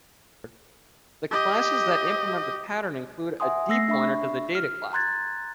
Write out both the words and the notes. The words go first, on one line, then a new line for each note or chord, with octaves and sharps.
The classes that implement the pattern include a "d-pointer" to the data class.
G4 D#5
E5 F#5 G#5 C6 D#6
A3 E6 A#6 C7
D4 E5 B5 C#6
F6
A#5 C6 F#6 G#6 A6